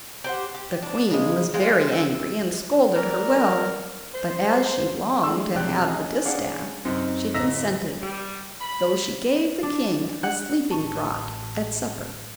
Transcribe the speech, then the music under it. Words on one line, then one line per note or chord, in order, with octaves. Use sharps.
The queen was very angry, and scolded her well; but as she longed to have the distaff she consented, though she gave the king a sleeping draught at supper.
G4 C5 F#5
G4
D4
C#3 G#3
G#3 C4 F4 G5
E5
E3 A#4 D5
C5
G#3 A3 D4 C6 E6
E1 C3 G4 D5 G5 F#6
C#4 G#4 D#5
C#4 D4 G#4 D5 F5 F#5
F#2 C3 C4 D#4
D1 D#5 A#5 E6 A#6 B6
G3
B5
D4
F#5
A1 A5 C#6